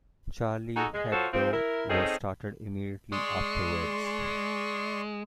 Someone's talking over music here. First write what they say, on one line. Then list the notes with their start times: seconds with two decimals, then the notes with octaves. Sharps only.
"Charlie Hebdo" was started immediately afterwards.
0.76 D#4 F#4 G#4 A4
0.94 G#3
1.12 F4 F#4 A4 C5 C#5
1.33 F3 C4
1.53 E4 A#4
1.90 C4 C#4 D#4 G#4 A4
3.12 G#3 D5 C6 C#6